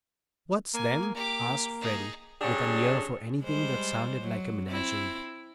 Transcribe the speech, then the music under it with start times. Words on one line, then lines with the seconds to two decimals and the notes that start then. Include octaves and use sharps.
"What's them?" asked Freddie, with an ear for anything that sounded like a menagerie.
0.74 A#3 G#5
1.15 A#3 G4 D6
1.80 D#4 G#4
2.41 D3 F#3 G3 C#4 D4 G#4
3.41 G3 G#3 C5
4.20 F#3
4.67 C4 E4